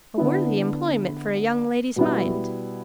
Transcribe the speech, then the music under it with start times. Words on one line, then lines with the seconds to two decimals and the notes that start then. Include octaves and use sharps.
A worthy employment for a young lady's mind!
0.18 D3 B3 E4
1.96 B2 G3 B3 E4